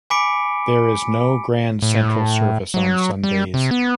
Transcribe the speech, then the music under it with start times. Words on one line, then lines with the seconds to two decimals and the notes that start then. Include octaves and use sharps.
There is no Grand Central service on Sundays.
0.10 G#5 B5 D6 B6 C#7 D7
1.82 A2
2.74 F#3
3.24 G3
3.54 C3
3.71 B3